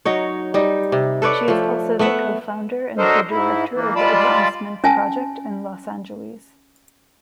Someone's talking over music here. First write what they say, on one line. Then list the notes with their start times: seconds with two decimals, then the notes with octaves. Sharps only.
She is also the co-founder and co-director of the Advancement Project in Los Angeles.
0.05 F#3 D#4 C#5
0.54 G3 D#4
0.92 C3
1.22 A4 B4 C#5 D5
1.48 F3 A3
1.99 A3 B3 E5 F#5
2.98 F#3 D4 A4 A#4 C5 D#5
3.30 G#2 E4
3.75 E3 A#3
3.96 G3 G#3 F4 D5 A5 B5
4.84 C#4 E5 G#5 A5